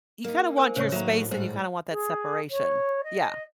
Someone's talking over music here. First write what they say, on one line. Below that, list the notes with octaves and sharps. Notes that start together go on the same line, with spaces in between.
you kinda want your space and you kinda want that separation, yeah.
A#3 D#4
A#4 C5 G#5
A2 C#3 C5 C#5 C#6
D#3 F#3 A#3 F#4 E5 A#5
G#2 G3 C5
G#4
C#5
D#5